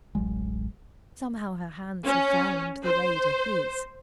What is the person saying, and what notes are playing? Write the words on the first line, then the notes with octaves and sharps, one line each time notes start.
Somehow her hands had found the way to his.
D1 A1 F#3 G#3
C#4
C5